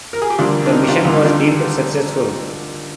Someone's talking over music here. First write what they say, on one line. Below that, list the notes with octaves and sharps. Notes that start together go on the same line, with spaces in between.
The mission was deemed successful.
A#4
G#4
G4
D2 D3 G3 A#3 D4 F4
D4
D#4
G4
D4 F4
D2 D3 G3 A#3 F4
D#4
D4 F4